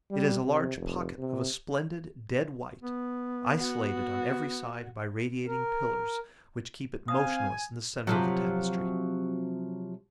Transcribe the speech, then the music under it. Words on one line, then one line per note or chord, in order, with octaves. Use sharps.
It is a large pocket, of a splendid dead-white, isolated on every side by radiating pillars which keep it motionless in the centre of the tapestry.
G3
C3
F1
C3
B3
F#4
A#4
C4 C5 F5 G#5 D#6
C3 F3 F#3